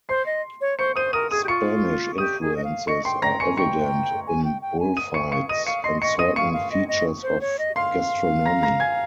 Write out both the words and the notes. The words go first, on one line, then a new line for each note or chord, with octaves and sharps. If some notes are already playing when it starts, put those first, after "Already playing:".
Spanish influences are evident in bullfights and certain features of gastronomy.
C5 C6 C7
D#5
C#5
C5 C#6 C#7
C5 D#6 D#7
A#4 D#6 D#7
G#4 D#6 D#7
G4
F4 C#6 C#7
G4 D#6 D#7
G#4
D#5
F5
D#5 C#6 C#7
G5 C6 C7
G5 A#5 A#6
G#5 C#6 C#7
G5 C#6 C#7
G#5
G5
G5
G#5
D#6 D#7
C#6 C#7
F5 C#6 C#7
D#5 D#6 D#7
F5 C#6 C#7
D#5 C6 C7
D#5 C#6 C#7
D#5 D#6 D#7
F5 C#6 C#7
F5
D#5
D#5
C5
C#5
D#5
F5 C6 C7
A#5 A#6
A#5 A#6
G#5 G#6